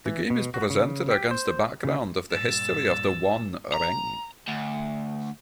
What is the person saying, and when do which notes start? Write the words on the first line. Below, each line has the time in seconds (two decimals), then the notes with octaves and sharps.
The game is presented against the background of the history of the One Ring.
0.06 E3
0.30 B2
0.54 F#4
0.70 C#3
1.11 G4
1.31 C5
1.84 C#3
2.31 G2 A#2 E6 A6
3.74 A#5
4.48 D2